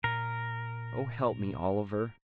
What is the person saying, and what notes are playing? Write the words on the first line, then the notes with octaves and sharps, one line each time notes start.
"Oh help me, Oliver."
A#2 A#4